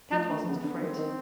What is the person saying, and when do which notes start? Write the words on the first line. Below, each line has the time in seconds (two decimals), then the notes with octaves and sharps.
Kat wasn't afraid.
0.12 F3 A3
0.29 D3
0.47 C#3 B3
0.64 D3
0.81 D#3 C4
0.98 D#3